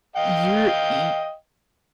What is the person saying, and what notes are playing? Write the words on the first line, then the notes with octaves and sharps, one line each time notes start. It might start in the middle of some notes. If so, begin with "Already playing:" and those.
you're y
D#5 F5 G5